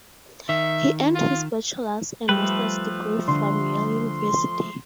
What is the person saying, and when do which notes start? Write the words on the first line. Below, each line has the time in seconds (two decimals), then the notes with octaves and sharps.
He earned his Bachelors and master's degree from Yale University.
0.49 D#3 E5
1.15 F4
2.29 F3 G3 A3 B4
3.28 D3 C6